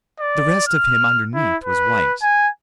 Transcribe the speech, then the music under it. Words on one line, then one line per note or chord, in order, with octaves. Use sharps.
The rest of him underneath was white.
D5
F6
E4
B4
G#5